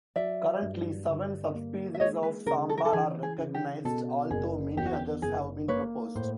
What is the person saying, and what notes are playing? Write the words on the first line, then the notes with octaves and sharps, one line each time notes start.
Currently, seven subspecies of sambar are recognised, although many others have been proposed.
F#3 D5 E5
G2
D3
A#3
E5
G#3 C#5 D#5
B4
C#3 A#4
A4
A#4
A4
E3 G#4
G#4
C#3
G4
B2 A4
F#1 G#4
E2 G4
F#4
G4
F#1 G#4
A#3 B4 C#5
A2 C5